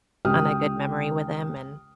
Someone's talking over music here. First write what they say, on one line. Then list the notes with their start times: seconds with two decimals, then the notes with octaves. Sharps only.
on a good memory with him, and
0.25 C#2 G4 G5 D#6 F6